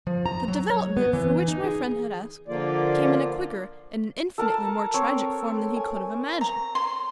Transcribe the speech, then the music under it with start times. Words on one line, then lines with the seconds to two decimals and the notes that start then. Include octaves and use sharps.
The development for which my friend had asked came in a quicker and an infinitely more tragic form than he could have imagined.
0.07 F3
0.26 A#5
0.48 F#3
0.70 C#5
0.97 B3
1.13 E3
1.48 D#4
1.64 G#4
2.48 D3 F3 A#3 F4 D5
4.38 A4 A#4 A5
4.94 C4 C#5
5.77 G#5
6.41 A#5
6.75 C6